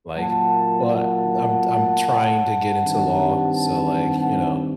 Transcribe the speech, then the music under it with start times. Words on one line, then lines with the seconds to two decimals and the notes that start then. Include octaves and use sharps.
like well, l I'm I'm trying to get into law. So, like, you know,
0.16 A#2 F#3 A#3 F#5 A5
0.83 F#5 A5
2.84 G2 D#3 G3 C4
3.51 F#5 A5
4.18 F#5 A5